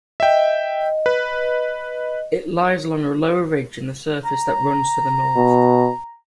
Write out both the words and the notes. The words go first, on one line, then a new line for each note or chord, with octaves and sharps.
It lies along a low ridge in the surface that runs to the north.
D#5 E5 G5
B4
A#5
B2